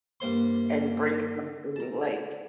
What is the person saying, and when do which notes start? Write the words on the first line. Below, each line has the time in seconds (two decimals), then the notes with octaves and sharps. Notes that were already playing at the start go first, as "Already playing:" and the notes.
and bring something," like,
0.20 G2 A#3 C5 C6
1.76 A5 A#5